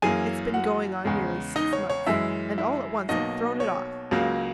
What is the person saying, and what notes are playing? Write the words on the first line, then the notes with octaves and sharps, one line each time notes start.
It's been going on nearly six months, and all at once I've thrown it off.
F#2 E3 A#3 G#4 G#5
F#4 F#5
E2 C#3 G#3
D#4 D#5
C#5
C#5
F#2 E3 G#3 E4 E5
E4 E5
B1 B2 A#3 D#4 D#5
C#5
C#2 C#3 F#3 A#3